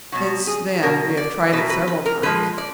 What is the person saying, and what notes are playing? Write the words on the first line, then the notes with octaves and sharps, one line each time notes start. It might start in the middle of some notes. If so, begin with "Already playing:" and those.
Since then we have tried it several times.
B2 F#3 F#4
G#4
B2 F#3 A#4
D5
B2 F#3 B4
B4
B4
A#4
A#2 F3 G#3 B4
D5